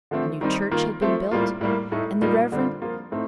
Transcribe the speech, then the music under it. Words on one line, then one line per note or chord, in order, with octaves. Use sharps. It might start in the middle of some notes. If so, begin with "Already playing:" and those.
A new church had been built, and the Rev.
D3 F3 A3 C4
D#3 G3 C4 D#4
D#3 A#3 F4
F3 A3 C4
A2 G3 A#3 F4
A2 G3 A#3
A2 A3 D#4
A#2 G3 A#3 D#4
D3 G3 C4 F4
F3 A#3 F4
A2 A3 C4 D#4